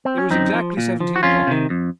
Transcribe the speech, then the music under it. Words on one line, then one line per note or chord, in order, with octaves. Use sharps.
It was exactly seventeen o'clock.
C4
C#4
F#2 C4 D#4
F3
A#2
F3
F#4
F2 C#4 F4
C3 D#3
F2